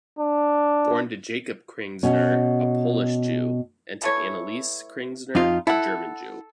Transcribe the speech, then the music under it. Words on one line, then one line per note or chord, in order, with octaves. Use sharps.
Born to Jacob Krigsner, a Polish Jew, and to Anneliese Krigsner, a German Jew.
D4
B2 C#4
E3 A3 C#5
F2 D#4 F4
E4 A4 F#5